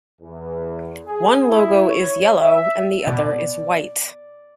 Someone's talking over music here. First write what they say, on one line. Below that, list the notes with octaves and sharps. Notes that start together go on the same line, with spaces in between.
One logo is yellow and the other is white.
E2
G#4
E4
C#5
E5
B2 D5